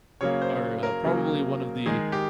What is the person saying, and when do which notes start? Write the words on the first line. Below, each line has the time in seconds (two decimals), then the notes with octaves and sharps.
are, uh, probably one of the
0.21 C#3 F#3 A#3 C#5
0.42 C5
0.83 A#4
1.04 C#3 F#3 A#3
1.86 D#3 G#3 G#4
2.12 G4